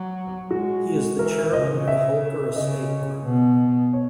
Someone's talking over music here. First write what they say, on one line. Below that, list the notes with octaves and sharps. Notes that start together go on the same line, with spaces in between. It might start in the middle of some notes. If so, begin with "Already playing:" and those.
He is the Chairman of the Holker Estate Group.
Already playing: F#3
G#3 F#4
E3 A#4
C#3 D#5
E5
C#3 D#5
B2
C#5